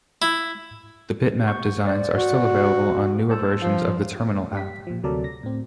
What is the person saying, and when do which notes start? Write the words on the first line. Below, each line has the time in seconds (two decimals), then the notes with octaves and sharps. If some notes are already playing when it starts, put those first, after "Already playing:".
The bitmap designs are still available on newer versions of the Terminal app.
0.22 E4
1.47 C#6 G6
1.87 C5 D5
2.17 F#4
3.30 C5 A5 E6
3.62 F3 F5
4.53 G4 B6
4.87 A#2 F3
5.03 D2 C3 F#3 A4 A#4 D5
5.24 A#6
5.43 A2 C4